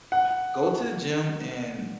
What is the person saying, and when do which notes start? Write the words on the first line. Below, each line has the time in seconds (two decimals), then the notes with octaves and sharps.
"Go to the gym and
0.12 F#5